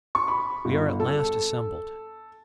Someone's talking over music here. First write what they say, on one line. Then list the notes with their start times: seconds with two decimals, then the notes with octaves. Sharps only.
We are at last assembled.
0.15 C#6
0.28 B5
0.65 G1
1.00 A4